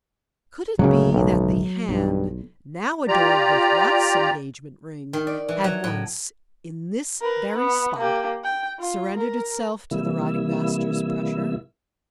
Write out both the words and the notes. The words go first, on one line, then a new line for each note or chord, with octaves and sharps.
Could it be that the hand now adorned with Ralph's engagement ring had once, in this very spot, surrendered itself to the riding-master's pressure?
D1 C#2 F#2 C#3 F#3
B1
B1 G2
F4 G4 D5 A#5
D#3
D5
E3
F#3
A2
A#4 B4
B3
A#3 G4
G5
F4
A#4
C3 E3 G3 A#3 E4 E6